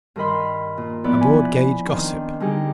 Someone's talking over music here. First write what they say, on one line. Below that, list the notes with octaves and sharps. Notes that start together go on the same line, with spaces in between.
A broad-gauge gossip.
G2 D#3 A#4 D#5 B5 C6
A#2
F3 B3 E4 D5 B5
G#5 B5
D#3 C4 D4
D3 G3 D#4 G4 G#4